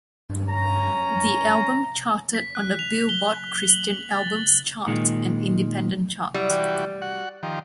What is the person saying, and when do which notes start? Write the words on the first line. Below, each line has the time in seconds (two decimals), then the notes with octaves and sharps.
The album charted on the "Billboard" Christian Albums chart and Independent chart.
0.50 C#4 A#5
2.35 B6
2.55 F#6
2.79 F7
3.09 G7
3.70 F#7
4.12 A6
4.87 A#2 D#3 G#3
6.34 F#3 G3 E4
6.50 E3 F#4 G4
7.02 F#4 F#5
7.43 D#3 F3 G4